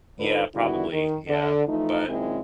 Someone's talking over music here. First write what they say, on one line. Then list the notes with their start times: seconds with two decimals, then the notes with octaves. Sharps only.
yeah, probably, yeah, but
0.19 D3 D#4 F4 A4 B4 C5
0.54 D3 D#3 G3 B3 E4 F#4
0.92 D#3
1.28 D3
1.68 E3 F3 A3 D#4
2.07 F#2 A#2 D#3 G#3 C4 E4